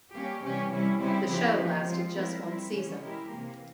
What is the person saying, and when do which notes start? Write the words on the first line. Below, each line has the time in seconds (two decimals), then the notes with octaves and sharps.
The show lasted just one season.
0.13 G3 A#3 C#4 G4
0.42 C3 E3 G3 C#4 G4
0.71 C3 G3 C#4 E4
0.99 C#3 G3 C4 E4 G4
1.27 C#3 F3 C4 E4 G4
1.57 F3 A#3 C#4
1.85 F3 G#3 C4 F4 C5
2.14 F3 C4 E4 A#4
2.43 G3 C4 E4
2.72 C#3 E3 G3 C#4
3.00 G#3 E4 G4 A#4
3.29 C3 E3 A#3